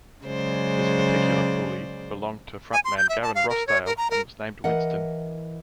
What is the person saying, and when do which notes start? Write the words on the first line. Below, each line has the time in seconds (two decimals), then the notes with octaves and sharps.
This particular Puli belonged to frontman Gavin Rossdale and was named Winston.
0.24 C#3 F#3 G#3 C5 D5
2.73 G#5
2.85 C6
2.97 G6
3.09 E5
3.22 A5
3.35 F5
3.49 A#4
3.67 C#5
3.86 A#4
3.98 A#5
4.11 A#4
4.64 E3 A#4 D#5 F#5